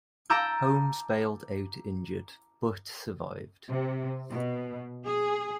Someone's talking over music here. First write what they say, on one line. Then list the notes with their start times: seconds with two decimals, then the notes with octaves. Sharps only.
Holmes bailed out injured but survived.
0.30 A5 A#5 D6 E6 G6
3.69 C3
4.31 B2
5.04 G#4